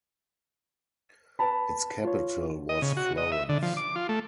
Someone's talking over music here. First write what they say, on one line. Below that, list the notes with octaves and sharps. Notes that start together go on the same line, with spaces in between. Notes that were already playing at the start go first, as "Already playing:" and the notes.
Its capital was Florence.
B4 A5 B5
F4 C#5
D#5
C#3
F#4
D#5
E5
D3
F3
D6
F4
A3